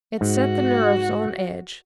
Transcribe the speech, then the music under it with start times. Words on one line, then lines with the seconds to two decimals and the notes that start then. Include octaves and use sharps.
It set the nerves on edge.
0.21 G#2 F#4